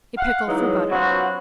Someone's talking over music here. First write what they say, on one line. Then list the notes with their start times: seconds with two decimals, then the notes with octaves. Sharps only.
A Pickle for Butter.
0.18 F5 F#5
0.48 E3 F#3 G#3 D#4
0.91 F#3 B3 C#4 F4 F#4 C5